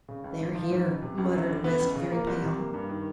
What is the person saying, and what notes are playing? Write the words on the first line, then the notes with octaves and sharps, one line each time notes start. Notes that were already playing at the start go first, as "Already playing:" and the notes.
"They are here," muttered West, very pale.
C#3
C#2
G#2
F3
G#2
C#2
C3
C#2
F#2
D3
B3
C#2
C#3
A#3
C2
C3
A#3
G2
D#3